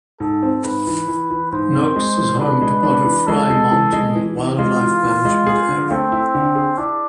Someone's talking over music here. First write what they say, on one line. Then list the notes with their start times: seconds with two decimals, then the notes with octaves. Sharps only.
Knox is home to part of Frye Mountain Wildlife Management Area.
0.20 G#2 A4
0.43 C4
0.64 G#2 B4
0.87 E3
1.08 E3
1.31 E3
1.52 G#2 C5
1.73 C4
1.96 G#3
2.17 E3
2.40 D4 B4
2.61 G#3
2.83 D4
3.06 E3
3.27 G#3 A4
3.50 G#3
3.72 E3
3.93 G#3
4.15 E3
4.37 E3
4.58 G#3 F4
4.80 E3
5.03 E3
5.25 G#3
5.47 G#4
5.69 D3
5.90 A3 C4
6.12 E4
6.35 D3
6.55 G#4
6.78 D4 E4